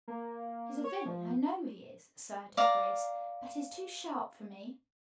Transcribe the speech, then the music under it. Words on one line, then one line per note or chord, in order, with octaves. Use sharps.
"He's a villain, I know he is," asserted Grace, "but he's too sharp for me."
A#3
C#5
F3
D5 F5 A#5